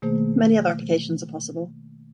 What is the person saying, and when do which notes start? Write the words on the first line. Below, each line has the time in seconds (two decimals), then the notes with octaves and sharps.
Many other applications are possible.
0.02 B2 D#3 A3 A#3 G#4 C5